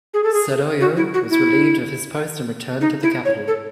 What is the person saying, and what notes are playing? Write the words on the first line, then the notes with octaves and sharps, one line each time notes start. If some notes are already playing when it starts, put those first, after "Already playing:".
Sadayo was relieved of his post and returned to the capital.
G#4
A4
G#4
F#4
E4
F#4
E4
D#4
E4
C#5
A4